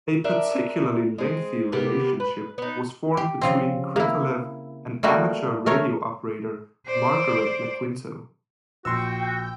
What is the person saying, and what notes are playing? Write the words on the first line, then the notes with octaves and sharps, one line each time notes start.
A particularly lengthy relationship was formed between Krikalev and amateur radio operator Margaret Iaquinto.
D4 A#4 E5
G#3 C4
C3 A#3 B3 G4
B4
B3 D#4
G4
C#3 F3 C4
A#3 E4
G3 A3 A#3 F#4
A3 A#4 C#5
C5 D5
A#1 F#4 G5 C6 E6